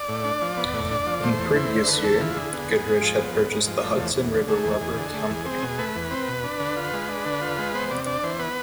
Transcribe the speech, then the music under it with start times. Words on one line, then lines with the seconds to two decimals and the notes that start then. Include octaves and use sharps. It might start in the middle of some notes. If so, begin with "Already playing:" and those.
In the previous year, Goodrich had purchased the Hudson River Rubber Company.
Already playing: D5
0.09 A2
0.24 D4
0.42 F3
0.57 B3
0.74 A2
0.91 D4
1.06 F3
1.23 A3 C5
1.39 E2
1.55 E4 C5
1.72 D3
1.87 A3 B4
2.04 E2 A4
2.20 E4 F4
2.36 D3 G#4
2.53 B3
2.70 G#2
2.86 G#2
3.01 F3
3.18 B3
3.34 G#2
3.51 G#2
3.67 F3
3.83 A3
3.99 E2
4.16 E2
4.33 D3
4.48 A3 G#4
4.64 E2
4.81 E2
4.97 D3
5.14 A3
5.29 E2
5.46 C4
5.63 B2
5.78 A3 B4
5.96 E2
6.11 C4
6.28 B2
6.44 D4
6.60 D3
6.76 F4
6.93 G#3
7.08 D4
7.26 D3
7.41 F4
7.58 G#3
7.74 B3 C5
7.91 C3 D5
8.06 D4 D5
8.23 E3 C5
8.39 B3 B4